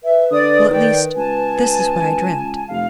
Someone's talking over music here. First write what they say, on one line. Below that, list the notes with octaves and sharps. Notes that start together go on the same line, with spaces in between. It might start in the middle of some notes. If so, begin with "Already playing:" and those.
Well, at least, this is what I dreamt.
B4 E5
D3 D5 D#6
D#3 D5 G5
C#2 G#5 A5
F1 F5